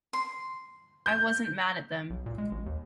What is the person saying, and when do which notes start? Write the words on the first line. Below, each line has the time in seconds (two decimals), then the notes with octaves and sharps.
I wasn't mad at them.
0.13 C6
1.06 G6
2.10 B1
2.26 A#2
2.38 G#3
2.51 A1
2.66 D#2